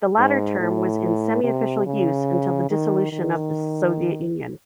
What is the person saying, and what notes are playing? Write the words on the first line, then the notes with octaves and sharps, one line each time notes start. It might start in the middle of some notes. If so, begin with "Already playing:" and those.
The latter term was in semiofficial use until the dissolution of the Soviet Union.
G#2
A2
C3
C#3
D#3
D#3